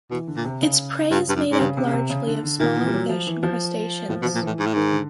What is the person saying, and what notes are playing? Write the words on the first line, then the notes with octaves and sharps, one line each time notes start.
Its prey is made up largely of smaller fish and crustaceans.
B2 E3
D3
A#2
C3
C#3
G2
G2
F#2
G#2
G2 C#3
C3
C#3
C3
C#3
D3
D3
A#2 D#3
E3
G3
F#3
F3
E3
F3
A2 F3
B2
F3
A#2
A2 E3
G#2
A2
G#2 D#3
D3